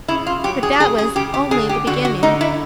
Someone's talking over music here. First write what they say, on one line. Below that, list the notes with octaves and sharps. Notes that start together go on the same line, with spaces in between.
But that was only the beginning.
C#3 E4
F4
F#3 G4
G#4
C#3 G#4
G#4
C#3 G4
G4
D3 G#4
G4
D3 F#4
F#4
D3 D#4
E4